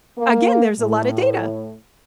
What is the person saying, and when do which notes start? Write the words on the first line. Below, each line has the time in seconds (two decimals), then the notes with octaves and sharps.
again, there's a lotta data.
0.18 A#3
0.79 A2